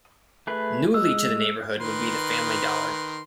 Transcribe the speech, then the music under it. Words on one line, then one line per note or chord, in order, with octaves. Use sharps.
Newly to the neighborhood would be the Family Dollar.
A3 G#4 B4
G#3 E6
D#3 B4 C6